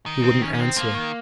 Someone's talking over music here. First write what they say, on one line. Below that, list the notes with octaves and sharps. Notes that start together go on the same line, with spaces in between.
He wouldn't answer.
D#3
C4
C#4
C#4
C4
F3 A#3
D#3